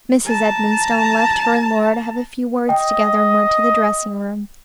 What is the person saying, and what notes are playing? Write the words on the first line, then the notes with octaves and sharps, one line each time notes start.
Mrs. Edmonstone left her and Laura to have a few words together, and went to the dressing-room.
A5 A#5
D#5 G5